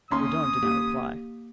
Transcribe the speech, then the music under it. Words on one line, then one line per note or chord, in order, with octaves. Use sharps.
Mordaunt did not reply.
D#2 C#4 C6 D#6
A#3 G4